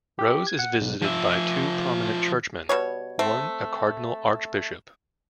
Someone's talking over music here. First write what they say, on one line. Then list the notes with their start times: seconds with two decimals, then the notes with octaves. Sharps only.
Rose is visited by two prominent churchmen, one a Cardinal Archbishop.
0.19 G4
0.47 G#6
0.59 F#5
0.81 B1
1.02 F3 E5
2.69 B2 G3 C#5
3.19 A3 C4